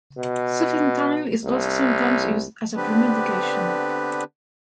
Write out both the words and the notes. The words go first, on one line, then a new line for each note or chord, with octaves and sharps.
Sufentanil is also sometimes used as a premedication.
B2
C2
D3 B3 C4 D4 G4 B4